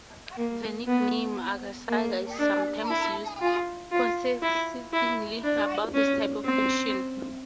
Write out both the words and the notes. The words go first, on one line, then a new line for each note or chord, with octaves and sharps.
The nickname "Aga saga" is sometimes used condescendingly about this type of fiction.
A#3
B3
A#3
D4
E4
F4
F4
E4
E4
D4
C#4
C4